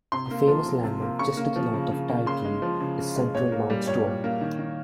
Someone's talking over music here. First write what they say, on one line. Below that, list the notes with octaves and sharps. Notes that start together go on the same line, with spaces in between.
A famous landmark just to the north of Ti Tree is Central Mount Stuart.
C3 C6
A#3
F3
C3
C3
A#3
C#3 C#6
A#3
F3
C#3
C#3
A#3
C#3 C6
G#3
F3
C#3
C#3
G#3
A#2 C#5
A#3
G3
A#2 C#5
A#2
A#3
D#3
D#3